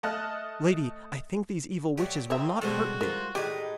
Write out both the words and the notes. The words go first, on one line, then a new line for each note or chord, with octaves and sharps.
'Lady, I think these evil witches will not hurt thee.
A3 D#5 A5 F6 F#6
F#3 A3 G4 D5
D3 C4 D#4 C#5 E5
B2 G3 G#3 F#4 G4 A4 C5
F4 A#4 C5
A2 G#3 D#4 G4 B4 D5